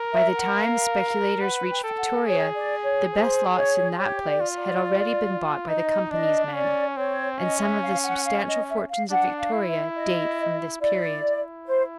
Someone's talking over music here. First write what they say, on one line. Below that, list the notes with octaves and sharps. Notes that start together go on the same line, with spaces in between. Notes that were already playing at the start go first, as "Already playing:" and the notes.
By the time speculators reached Victoria the best lots in that place had already been bought by the company's men; and some of the substantial fortunes of Victoria date from this period.
Already playing: A#4
E5
F#5
F5
B4 F#5
G5
A4
F#5
G#4 C#5
D5
C#5
C5
C#5
G4 C#5
D5
F4
D5
D#4 D#5
D4 D#5
C#4 D5
C4 C#5
C#4 D#5
E5
F5
F#5
F5
D#5
E5
F5
D4 F#5
F5
E4
E5
D#5
E4 D5
C5